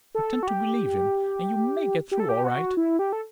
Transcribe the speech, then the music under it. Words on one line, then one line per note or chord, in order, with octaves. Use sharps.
Pretend to believe him, and you may get through all right.
A4
F#4
G4
G4
A4
G4
F#4
E4
G4
A4